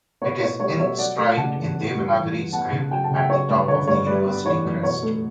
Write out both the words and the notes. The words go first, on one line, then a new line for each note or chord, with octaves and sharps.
It is inscribed in Devanagari script at the top of the university crest.
B3 C#5
B2 C#5
G3 C#5
B2 C#5 E5
F#3 D5 F#5
A3
C#3 F#5 A5
E2
B3
G2
E3
G2
B3 F#5 A5
C#3
F#3 G5
A5
C#3
E5 G5
F#3 C#5
G2 B4 D5
D3 C#5
G2 C#5
G3 B4 D5
B3
E3 C#5
F#2
B2 C#5
A3